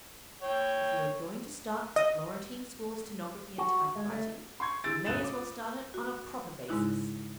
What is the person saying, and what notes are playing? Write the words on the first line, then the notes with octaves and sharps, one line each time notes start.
If you are going to start the Florentine School of Stenography and Typewriting, you may as well start it on a proper basis.
C#5 G5
D#5
F#4
G#3
A3
C6 C#6 G#6
E4 G#4 E6 A6 D7
B1 C#3 D#6 F#6 A6 E7
F4 D6
F#4
G#2 C#3 G#3 D#4 E4 F#6